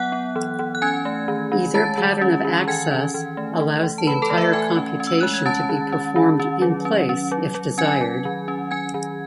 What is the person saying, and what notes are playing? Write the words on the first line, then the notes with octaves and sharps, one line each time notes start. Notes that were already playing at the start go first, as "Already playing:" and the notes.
Either pattern of access allows the entire computation to be performed in-place if desired.
Already playing: F#3 B3 F#5 F#6
B3
E3
E3
F#6
C#4 G#5 G#6
A3
D#3
D#3
G#3 A5 A6
D#3
C#4
D#3
E3 G#5 G#6
C#4
E3
A3
E3
E3
A5
E3 B4 B5
A4 A5
A3
E5 E6
E3 G#5 G#6
C#4
C#4
E6
G#3 F#6
G#6
C#4 A5 A6
D#3
C#4
D#3
C#4
F#3
C#4
C#4
F#3
F#3
C#4 G#5 G#6
F#3
D#3
C#4
C#4 G#5 G#6
D#3